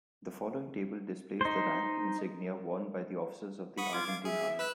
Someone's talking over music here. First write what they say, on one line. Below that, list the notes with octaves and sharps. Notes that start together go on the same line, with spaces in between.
The following table displays the rank insignia worn by officers of the Argentine Army.
D#4 C5
F#5 B5 C#6 D#6
F4 D6 G#6
F5
G#4 E5
B4 E6 F#6